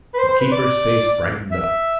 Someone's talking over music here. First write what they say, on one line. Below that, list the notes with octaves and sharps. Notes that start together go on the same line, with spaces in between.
The keeper's face brightened up.
B4
C5
C5
B4
D5
E5